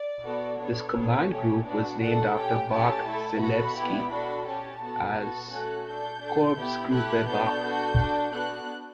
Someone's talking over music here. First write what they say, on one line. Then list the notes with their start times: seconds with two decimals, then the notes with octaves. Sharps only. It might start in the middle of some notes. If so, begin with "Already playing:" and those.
This command group was named after Bach-Zelewski, as "Korpsgruppe Bach".
Already playing: D5
0.24 B3 F#4 A4
0.60 B3 D4 A4 C#5
0.95 B3 D4 A4
1.30 A3 C#4 G4
1.65 B3 D4 F#4
2.00 A3 D4 F#4 A4 F#5
2.36 C#4 G4 G5
2.70 A3 C#4 G4 A5
3.06 A3 E4 A4
3.40 B3 F#4 A4 B5
3.76 B3 E4 G4
4.11 D4 F#4 A4 B5
4.46 C#4 G4 A5
4.82 B3 F#4 A4
5.16 B3 F#4 A4
5.51 A3 C#4 F#4 A4 F#6
5.87 D4 A4 G6
6.22 D4 A4
6.57 B3 E4 G4
6.92 A3 E4 G4 F#6
7.27 B3 D4 F#4 A4 G6
7.62 D4 F#4 A4
7.98 D4 F#4 A4
8.33 B3 D4 F#4 F#6